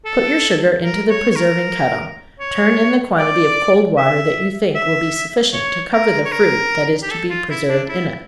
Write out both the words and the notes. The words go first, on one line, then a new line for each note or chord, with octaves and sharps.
Put your sugar into the preserving kettle, turn in the quantity of cold water that you think will be sufficient to cover the fruit that is to be preserved in it.
A4
A#4
C#5
C#5
A#4
C#5
D5
E5
E5
C#5
A#4
C#5
A#4
G4
A4
F4
E4
D4
E4